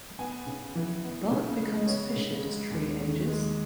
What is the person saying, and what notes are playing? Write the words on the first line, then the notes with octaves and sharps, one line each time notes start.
Bark becomes fissured as tree ages.
B3 G#5
C#3
E3
B3
C#3
G#3
D#5
B3 C#5
C#3
G#3
D#2
D#3
G#3